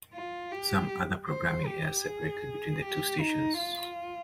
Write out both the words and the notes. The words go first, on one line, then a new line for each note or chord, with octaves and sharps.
Some other programming airs separately between the two stations.
F4
G4
C5
G4
G#4
G4
D#4
F4